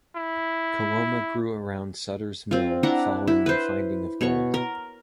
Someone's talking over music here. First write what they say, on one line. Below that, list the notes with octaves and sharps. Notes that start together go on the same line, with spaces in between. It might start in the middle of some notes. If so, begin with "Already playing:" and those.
Coloma grew around Sutter's Mill following the finding of gold.
E4
C4 F4
D4 E4 F#5 A#5
E4
B4 C5
B2 C#5 C#6
A#4